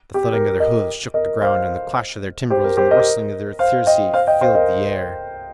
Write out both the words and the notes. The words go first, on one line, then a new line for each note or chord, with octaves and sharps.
The thudding of their hooves shook the ground, and the clash of their timbrels and the rustling of their thyrsi filled the air.
G4
A#4
A#4 D#5
A#4 D#5
C5 F5
G4 C5
A#4
G4 C5
A#4 D#5
C5 F5
D#5 G5
C5 F5
D#5 G5
C5 F5
A#4 D#5